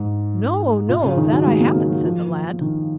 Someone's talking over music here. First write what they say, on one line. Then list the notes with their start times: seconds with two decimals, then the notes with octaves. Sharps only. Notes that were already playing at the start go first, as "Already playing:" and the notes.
'No, no; that I haven't', said the lad.
Already playing: G#2
0.89 A#2
1.03 C#3
1.17 D#3
1.32 F#3
1.47 G#3
1.60 A#3
1.75 A#3
1.89 F#3
2.03 F3
2.61 D#3